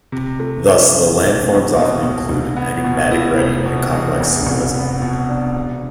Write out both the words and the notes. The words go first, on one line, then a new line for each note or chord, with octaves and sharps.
Thus the landforms often include enigmatic writing and complex symbolism.
C3
A3
F3
C3
B1
B3
B2
B1
C2
B3
B2
E4
F1
B2
E2
F1
C2
B3
B2
D4
E1